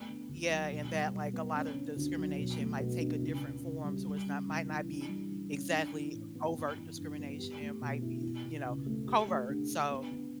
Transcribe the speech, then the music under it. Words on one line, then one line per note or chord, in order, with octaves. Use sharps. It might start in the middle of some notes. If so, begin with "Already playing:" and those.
Yeah, and that, like, a lot of discrimination might take a different form, so, it's not might not be exactly overt discrimination and it might be, eh, you know, covert, so,
Already playing: A3 B3
D3
D2
F#3
B2
G3
B2
B3
C#4
D3
D2
F#3
B2
A3
B2
D4
C#2
C#3
C#2
G3
G3
C#3
C#2
E3
D3
G3
D3
C#4
D4
E3
A2
B3
G2
E3
G2
B3
G4
A3
B2
E4
E4
B2
C#2
A3
G4
A3
D3
D4
B3
D3